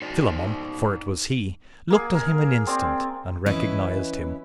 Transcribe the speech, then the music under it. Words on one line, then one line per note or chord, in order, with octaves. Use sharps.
Philammon, for it was he, looked at him an instant, and recognised him.
D#4 C5 D5
A#3 G#4
A#4
C4 D5
E3 C#4 E4 B4 D#5